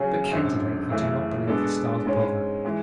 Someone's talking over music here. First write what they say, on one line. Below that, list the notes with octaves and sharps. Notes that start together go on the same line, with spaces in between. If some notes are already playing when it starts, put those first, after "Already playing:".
But, candidly, I do not believe the stars bother.
Already playing: C#3 F#3 C#4 G#4
G#1 F#2 D3
F#2 C#3 E3 A3
B2 G#3 B3 D4 A4
G#2 G#3 C#4
E3 G#3